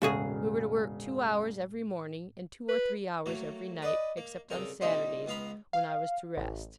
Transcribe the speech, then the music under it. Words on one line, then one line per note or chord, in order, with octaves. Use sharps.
We were to work two hours every morning, and two or three hours every night, except on Saturdays, when I was to rest.
E1 A2 C#3 F#4 G#4 F5
B4
F#3 A3 A#3
B4 D5 D#5
A#3
C2 C#3 A4 A#4
C2 A#2 G3 D#4 G4 C5
C#2 B3 F5 A#5 B5
F5
A1